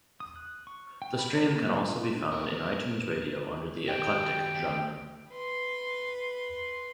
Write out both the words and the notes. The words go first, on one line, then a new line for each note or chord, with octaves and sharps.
The stream can also be found in iTunes Radio under the "Eclectic" genre.
D#6
F#6
C#6
G5
B5
C#5
A#3
F4
D4
A#4 B4
D#3 F#4 G4 D#5 G5
B4 C6